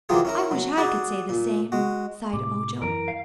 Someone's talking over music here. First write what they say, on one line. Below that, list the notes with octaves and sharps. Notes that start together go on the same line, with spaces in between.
"I wish I could say the same," sighed Ojo.
E3 F#3 A#3 F4 G4 G#4
C#4 E4 A#4
F#3
F#4 G#4 D5
A#2
G#3 F#4
A2 C3 D6
F#2 E3 A#4 D7
F5